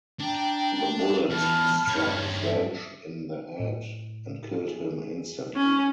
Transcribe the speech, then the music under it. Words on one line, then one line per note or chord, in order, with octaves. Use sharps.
The bullet struck French in the head and killed him instantly.
D4 G5 A#5
E2 A5 B5 F6
G2 C#4
A4 E5
A2
G#4
C#4